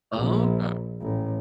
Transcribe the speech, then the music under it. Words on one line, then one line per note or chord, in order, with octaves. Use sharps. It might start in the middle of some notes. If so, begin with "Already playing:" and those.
Oh, okay.
A#1
A1